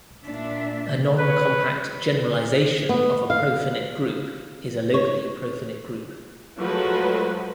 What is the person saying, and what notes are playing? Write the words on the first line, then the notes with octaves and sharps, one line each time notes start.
A non-compact generalization of a profinite group is a locally profinite group.
A#2 D4 E5
C#4 B4 C#5
B3
F5
C#5
F3 F#3 G#3 A3 F#4 B4